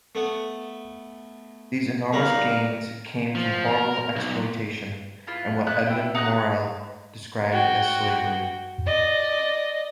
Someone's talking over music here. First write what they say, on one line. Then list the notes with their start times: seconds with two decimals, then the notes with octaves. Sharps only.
These enormous gains came from horrible exploitation, and what Edmund Morel described as slavery.
0.15 A3 B3
2.13 G3 D#4 A#4 B4 F5 A#5
3.35 F3
3.68 A#4
4.16 B1
5.27 E4 F4 B4
5.66 B3 E4 F#6
5.86 E4 G5
6.15 D#4 F#4 F#5 F#6
7.52 F#4 G5
8.86 D5 D#5